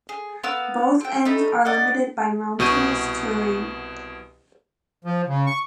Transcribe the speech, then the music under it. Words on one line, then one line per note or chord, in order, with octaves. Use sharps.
Both ends are limited by mountainous terrain.
G#4
B3 A#4 F5 E6
C4 G5
A3 D#4 B5
D5 D#5 F#5
C2 B2 C#6 G6 D#7
F3
C#3
C#6